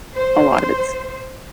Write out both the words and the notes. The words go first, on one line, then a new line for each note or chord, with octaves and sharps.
a lot of it's,
C5